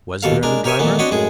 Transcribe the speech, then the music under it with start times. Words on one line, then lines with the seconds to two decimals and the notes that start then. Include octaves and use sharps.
Was there any driver?
0.23 D#2 B2 A4 F5
0.43 G#3 D4 A#4
0.64 G4 A#4 C#5 E5 G#5
0.79 A#2 D#3 E3 A3 B3
0.99 C4 D4 F#4 C#5 D#5 B5
1.11 F#2 A2 G#3 G#4